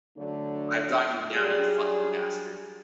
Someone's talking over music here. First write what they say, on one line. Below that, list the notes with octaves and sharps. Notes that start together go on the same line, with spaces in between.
I’ve got you now, you fucking bastard.
D3 F#3 A3 D4
F#3 G3 D4 G4 G#4